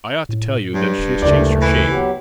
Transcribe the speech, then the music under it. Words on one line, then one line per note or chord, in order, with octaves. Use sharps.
I ought to tell you that she has changed her shape.
A2
G2 F#3
E1
F#1 D2 A3 D5
E3
F#3 B3 G4